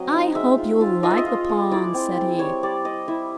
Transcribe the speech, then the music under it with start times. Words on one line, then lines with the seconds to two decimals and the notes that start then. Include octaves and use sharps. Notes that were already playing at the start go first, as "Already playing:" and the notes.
"I hope you'll like the pond," said he.
Already playing: F#3 C4 D#5
0.13 D#4
0.35 G#3 E5
0.58 F4
0.81 F4
1.03 F4 D#5
1.11 E5
1.18 D#5
1.26 F4
1.49 G#3
1.71 E4 D5
1.94 C4
2.17 C4
2.39 G3 C#5
2.63 G3 D5
2.85 C4 D#5
3.08 E4 E5